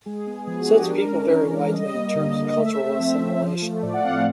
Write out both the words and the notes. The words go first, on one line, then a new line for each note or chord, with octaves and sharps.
Such people vary widely in terms of cultural assimilation.
G#3 G#4
B3
F3 G#4
F#4
D4 G4
G#4
G#3 A#4
C#4
E3
E3
G3 D#5
A#3
D3
D3
D#5
A3 E5
C4
F3
F3
F3
A3
A2 D5
F#5
C4 F5
F5